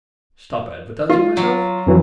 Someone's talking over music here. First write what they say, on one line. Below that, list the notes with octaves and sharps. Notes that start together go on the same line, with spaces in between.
Stop advertising myself!
F4
F#3
F2 E3 F#3